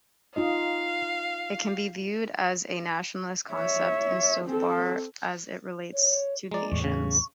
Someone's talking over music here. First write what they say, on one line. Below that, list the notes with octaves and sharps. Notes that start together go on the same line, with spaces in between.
It can be viewed as a nationalist concept, insofar as it relates to nations.
D#4 F4 D#5 F5
C#5 E5
C4 A4
C#5
G#3 D5 A#5
E2 A2 C#6
C#3